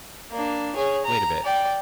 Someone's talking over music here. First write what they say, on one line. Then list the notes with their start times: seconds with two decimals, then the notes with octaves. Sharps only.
Wait a bit....
0.31 A#3 D4
0.76 G#4 C#5
1.05 A#5
1.45 D5 G5